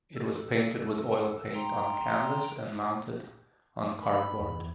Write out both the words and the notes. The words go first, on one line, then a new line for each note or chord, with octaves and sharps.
It was painted with oil paint on canvas and mounted on cardboard.
A4
G5 A#5 C6
B5
E2